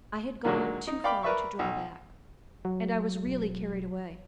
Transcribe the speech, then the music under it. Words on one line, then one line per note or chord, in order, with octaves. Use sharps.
I had gone too far to draw back; and I was really carried away.
A#2 D3 D#3 F#3 G#3
D#4
D5 F5 G5 B5 D6
A#4 B4 D5 E5 C#6
B1
F#3
E1